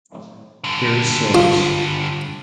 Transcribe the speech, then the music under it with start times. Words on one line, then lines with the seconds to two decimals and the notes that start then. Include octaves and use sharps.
Per source.
0.64 G2 D3
1.35 F4